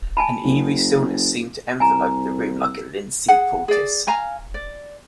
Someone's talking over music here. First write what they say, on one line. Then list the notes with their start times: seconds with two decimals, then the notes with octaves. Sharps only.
An eerie stillness seemed to envelop the room like a linseed poultice.
0.17 G#5 A5 B5
0.44 F#1
1.80 C2 G#5 A#5
2.64 E6
3.28 G#4 F#5
3.68 G#4 D5
4.07 F5 G#5 A#5
4.54 D5